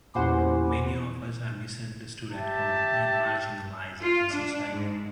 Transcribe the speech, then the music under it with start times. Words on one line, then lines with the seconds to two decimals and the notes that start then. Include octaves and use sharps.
Many of us are misunderstood at home and marginalised in society.
0.15 E2 A#2 C#4 E4 G4 C5 F#5
2.33 G4 E5 A5
4.01 F4
4.30 D4
4.73 G#2